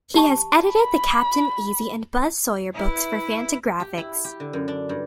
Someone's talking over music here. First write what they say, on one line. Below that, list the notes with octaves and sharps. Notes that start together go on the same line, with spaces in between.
He has edited the Captain Easy and Buz Sawyer books for Fantagraphics.
G4 A5 C#6
B5
E4 B4
G4
E4
G4
D3
F#2
D4
G2